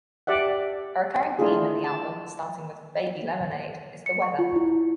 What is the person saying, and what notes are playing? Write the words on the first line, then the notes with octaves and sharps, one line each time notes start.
A recurring theme in the album, starting with "Baby Lemonade", is the weather.
G4 D5 E5 F#5
A3 D4 E4 F4 G#4
A5
C#7
C#6
F4
E4